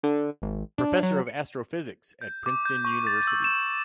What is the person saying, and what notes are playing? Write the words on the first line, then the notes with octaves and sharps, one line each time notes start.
Professor of Astrophysics at Princeton University.
D3
G#1
D4
F#3
C#7
G6
D6
G6
C#6
A6
E6
E7